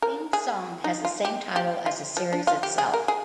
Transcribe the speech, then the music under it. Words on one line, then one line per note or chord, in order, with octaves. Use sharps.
Theme song has the same title as the series itself.
A#4
G#4
D#4
F4
G4
G4
F4
F3
D4
F4
G4
G#4
A#4
G#4